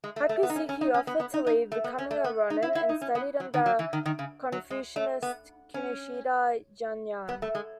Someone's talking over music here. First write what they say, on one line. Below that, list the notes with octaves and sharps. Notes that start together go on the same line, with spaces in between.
Hakuseki offered to leave, becoming a ronin and studied under Confucianist Kinoshita Jun'an.
G#3
A3
A3
B3
D#4
C#4
C#4
D#4
C#4
B3
B3
D#4
D#4
A3
B3
C#4
A3
B3
D#4
E4
E4
D#4
C#4
B3
F#3
D#3
F#3
E3
D#3
D#3
C#3
F#3
G#3
A3
B3
C#4
B3
A3
G#3